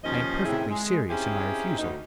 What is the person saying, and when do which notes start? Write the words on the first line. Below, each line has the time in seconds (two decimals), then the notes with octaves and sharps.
I am perfectly serious in my refusal.
0.04 D#2 F3 C#4 D#4 C5 D#5
0.45 A2 C3 D#3 C#4 E4 G#4
0.68 G#3
1.09 C4 C#4 D#4 E4 G4 G#4
1.77 D2 D#4